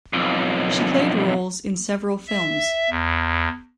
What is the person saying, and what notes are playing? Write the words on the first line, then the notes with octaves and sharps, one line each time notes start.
She played roles in several films.
B1 F2
E5
E2